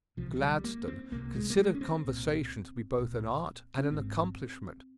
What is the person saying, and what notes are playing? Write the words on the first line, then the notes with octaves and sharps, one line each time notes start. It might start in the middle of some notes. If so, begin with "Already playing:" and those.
Gladstone considered conversation to be both an art and an accomplishment.
C2 C3 F3
F3
G3
A#3
C4
C2 C3 A#3
G#3
A#3
G#3
C#4
C4
C2 A#2
C2 A#2
C#4
G#1 G#2 C4